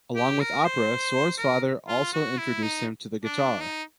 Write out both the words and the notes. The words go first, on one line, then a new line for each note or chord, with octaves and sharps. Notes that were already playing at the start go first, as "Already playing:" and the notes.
Along with opera, Sor's father also introduced him to the guitar.
G4
A#4
C5
A#4
F4
F#4
E4
D#4
D4
D#4